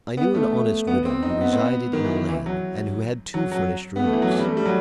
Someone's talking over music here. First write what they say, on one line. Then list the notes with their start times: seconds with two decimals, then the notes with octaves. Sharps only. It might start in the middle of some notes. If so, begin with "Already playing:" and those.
I knew an honest widow who resided in a lane, and who had two furnished rooms.
0.17 B3
0.35 A3
0.52 A3
0.87 B3
1.05 C4
1.23 D#4
1.41 B3
1.52 C4
1.58 B3
1.93 D#3
2.05 E3
2.16 D#3
2.29 E3
2.46 F#3
3.34 F#3
3.52 F#3
3.96 B3
4.04 A3
4.13 E3
4.22 F#3
4.31 E3
4.39 G3
4.48 A3
4.57 G3
4.65 F#3